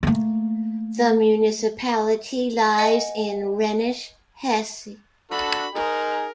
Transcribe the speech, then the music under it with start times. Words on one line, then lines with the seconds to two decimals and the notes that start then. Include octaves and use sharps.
The municipality lies in Rhenish Hesse.
0.03 A3 A#3
2.78 D#5 F#5 G#5
5.31 D4 F#4 A4 B5
5.75 D#4 G#4 A#4